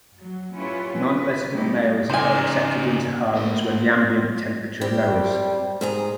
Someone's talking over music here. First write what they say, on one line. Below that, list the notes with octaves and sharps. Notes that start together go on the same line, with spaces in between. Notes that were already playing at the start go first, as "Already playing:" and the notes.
Nonresident males are accepted into the harems when the ambient temperature lowers.
F#3
C#4 E4 F4 G4 B4 C#5
B4
G3 A3 C#4 D#4 E4 G4
A#2 C#3 D#4 C5 G#5
A#3 C5
G3 C4 G4
G#2 G#4 A#5